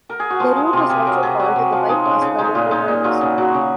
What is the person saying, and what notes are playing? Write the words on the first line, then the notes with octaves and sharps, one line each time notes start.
The route is also called "the bypass" by local drivers.
A#4
G#4
F#4
F3 F4
G#3
C3 F4
C3 G#4
F#3 A#4
C3 G#4
F#3 F#4
C3
F3 F4
G#3 D#4
C#3
C#3
G#3 D#4
A#2 F4
G#3 D#4
A#2
F#3 F4
C#3
F#3 F#4
C#3